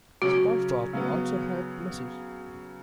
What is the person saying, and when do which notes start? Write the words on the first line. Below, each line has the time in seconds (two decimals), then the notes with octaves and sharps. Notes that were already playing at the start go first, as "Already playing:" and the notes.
SpongeBob also helps Mrs.
0.22 C#3 F#3 C#4 F#4
0.93 C#3 F#3 B3